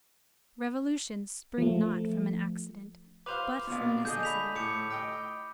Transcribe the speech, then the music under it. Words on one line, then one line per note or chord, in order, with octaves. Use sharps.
Revolutions spring not from an accident, but from necessity.
F3 A3
B4 C5 F5 D6 F7
A#1 B2
D3 G#4 D#5 G6
B5 B6 F7
A2 D6 C#7
D#5 G5 E6